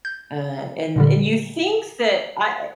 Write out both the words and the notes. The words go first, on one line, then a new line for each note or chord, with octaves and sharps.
uh and and you think that I
G6
A#2 D3 G3